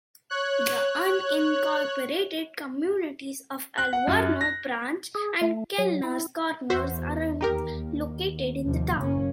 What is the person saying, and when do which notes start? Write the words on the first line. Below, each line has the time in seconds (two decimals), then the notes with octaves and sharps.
The unincorporated communities of Alverno, Branch, and Kellners Corners are located in the town.
0.30 C#5 F#6
3.78 F#6
3.93 F#5
4.07 F#2
4.41 A#6
5.15 G#4
5.41 A3
5.78 F#3
6.03 E4
6.70 E2 F#4 C5 E5
7.41 D#2 D#4 G4 A#4
8.66 D#2 C3 F3
8.99 F#1 A#3 C#4